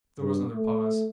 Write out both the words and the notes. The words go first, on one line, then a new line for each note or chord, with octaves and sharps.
There was another pause.
G2
A3